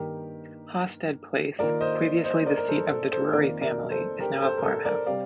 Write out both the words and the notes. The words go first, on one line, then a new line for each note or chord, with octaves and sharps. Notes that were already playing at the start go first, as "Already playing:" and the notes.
Hawstead Place, previously the seat of the Drury family, is now a farmhouse.
Already playing: G2 D#3 A#3 G4 A#4
D#3 A#3 F4 A#4 D5
C5 D#5
C5 D#5
A#4 D5
A#4
A4 C5
A4
A4 C5
F2 D#3 A#3 F4 A#4 D5
A#4 D5
A4 C5
G4 A#4
A4 C5
A#4
A4 C5
A#4 D5
C3 G3 D5 F5